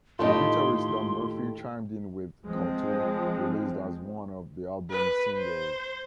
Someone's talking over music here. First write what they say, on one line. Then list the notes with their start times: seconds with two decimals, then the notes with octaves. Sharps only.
Guitarist Dan Murphy chimed in with "Cartoon," released as one of the album's singles.
0.19 D#2 A2 A3 D#4 F4 G4 D#5 C6
2.45 F3 G#3 C4
4.90 B4
5.37 C5